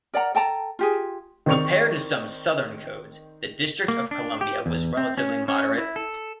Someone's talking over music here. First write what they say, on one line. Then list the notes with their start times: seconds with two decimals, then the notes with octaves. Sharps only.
Compared to some southern codes, the District of Columbia was relatively moderate.
0.14 A#4 D5 F#5 A#5
0.35 A4 G5 A5 A#5
0.79 F4 G4 G#4
1.46 D#3 C4 D5 C#6 F7
3.88 A#3
4.11 D4
4.41 G4
4.66 E2
4.97 C4
5.18 C#4
5.48 C#4
5.78 E4
5.96 A4